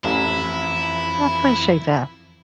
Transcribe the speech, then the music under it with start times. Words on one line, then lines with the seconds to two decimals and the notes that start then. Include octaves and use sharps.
I appreciate that.
0.04 A1 F2 E3 E4